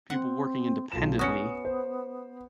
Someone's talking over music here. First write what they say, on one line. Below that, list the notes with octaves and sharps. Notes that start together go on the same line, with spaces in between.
people working independently,
C4 F#5
B1 F4 E7
B3 C#4 F#4 D#6 C#7
C5